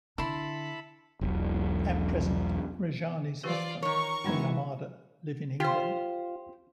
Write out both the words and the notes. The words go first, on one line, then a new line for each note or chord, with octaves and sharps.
At present Rajani's husband and Narmada live in England.
D3 E4 A4 B5 C6
E1 B1
E3 F4 G4 B4 D5
D#3 A#4 C#5 C#6
E3 G#3 B3 D#4 F#4 G5
F4 G4 C5